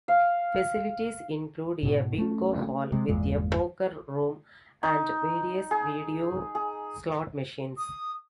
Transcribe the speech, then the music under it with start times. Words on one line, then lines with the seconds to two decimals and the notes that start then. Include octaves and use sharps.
Facilities include a Bingo Hall, with a Poker Room and various video slot machines.
0.08 F5
1.83 G#2 B2
2.18 A3 C#4
2.92 C3 G#3
3.08 G1 E2 A#2 G#3
4.83 D#4
5.71 G#4
6.55 G#4
7.78 D#6